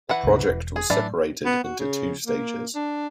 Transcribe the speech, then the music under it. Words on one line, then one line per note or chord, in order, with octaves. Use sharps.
The project was separated into two stages.
E3 B4 F#5
C#2 G2 C3
E1
G#4
A2 E3 F#3 D4 D5
B3
F#4
C#3
A#3
D4